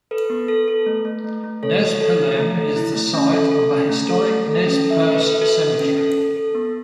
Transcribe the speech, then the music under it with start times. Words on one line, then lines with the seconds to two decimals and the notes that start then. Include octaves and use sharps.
Nespelem is the site of a historic Nez Perce cemetery.
0.11 A4 B4
0.30 B3
0.48 A4
0.68 A4
0.86 A3
1.05 A3
1.24 A3
1.44 A3
1.63 A4 C#5
1.82 F#4
2.01 A4
2.19 F#4
2.38 A3
2.57 A4
2.76 E4
2.95 A3
3.14 C#4
3.32 A4
3.51 A4
3.71 C#4
3.89 A3
4.09 A4
4.28 A3
4.47 A4
4.66 C#4
4.84 A4
4.90 E5
5.03 A4
5.16 B4
5.22 A4
5.41 F#4 A4
5.61 F#4
5.80 C#4
5.98 A4
6.18 A4
6.37 A4
6.55 B3